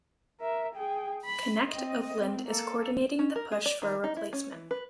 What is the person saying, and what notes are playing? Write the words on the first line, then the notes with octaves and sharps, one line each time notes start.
ConnectOakland is coordinating the push for a replacement.
A#4 E5
G#4 G5
B5
C4 D#5
C4
A#3 A4
C#4
A#4
G#4
D5
D#3
D#4
E4
C#4
E3
B4